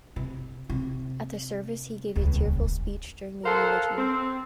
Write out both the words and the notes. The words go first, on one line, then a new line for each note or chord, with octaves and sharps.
At the service, he gave a tearful speech during the eulogy.
C3
C3
D#1 C#2
A4 A#4 C5 F5 F#5
C4